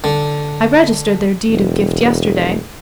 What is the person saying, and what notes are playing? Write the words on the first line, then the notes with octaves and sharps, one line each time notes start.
"I registered their deed of gift yesterday."
D3
E1